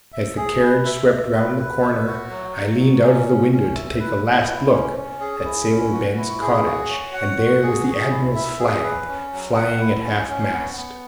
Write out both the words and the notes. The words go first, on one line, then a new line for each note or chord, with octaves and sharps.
As the carriage swept round the corner, I leaned out of the window to take a last look at Sailor Ben's cottage, and there was the Admiral's flag flying at half-mast.
E5
G#4
B4
E5
E5
B4
B4
E5
F#4
F#3
C#5
F#3
C#4
C#4
C#4
E5
B4
B4
E4
C#4
C#4
G#4
E4
C#4
F#4
E4
G#4
F#4
C#5
F#5
F#4
G#4
G#4
E4
E5
G#4
B4
C#4
F#3
F#5
E4
C#4
C#4
B3
B3